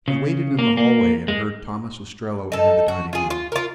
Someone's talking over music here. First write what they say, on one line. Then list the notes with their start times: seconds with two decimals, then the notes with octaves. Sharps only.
He waited in the hallway and heard Thomas Ostrello enter the dining room.
0.08 C#3
0.59 A#3
0.77 A#3
1.28 G#3
2.52 D#4 A4
2.88 F#4
3.13 F4 G#4
3.30 F4
3.52 F4 A#4